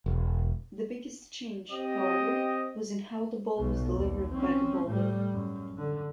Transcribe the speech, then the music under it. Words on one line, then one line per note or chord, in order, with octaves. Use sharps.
The biggest change, however, was in how the ball was delivered by the bowler.
E1
C4 G4 D#5
B1 B2
D#2
C4 C#4
A2 G3
F#2
D3